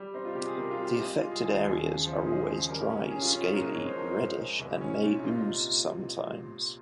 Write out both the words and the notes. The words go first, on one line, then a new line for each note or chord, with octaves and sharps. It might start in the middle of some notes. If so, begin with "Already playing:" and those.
The affected areas are always dry, scaly, reddish and may ooze sometimes.
Already playing: G3
C4 D#4
F4
C3 G4
G#4
C3 A#4
F4
G3
G4
G#3 D#5
D#5
G#3 F4
G#4
D#2 G#4
D#2
C#3
F3
G#3 G#4
C#3
G3 A#4
C#4
C#4 G#4
F4
C#4
G#4
G#2 A#4
D#5
G#2 C#5
C5
F3 A#4
G#2
G#3
C2
C#4
A#2
D#4
C3 F4
D#4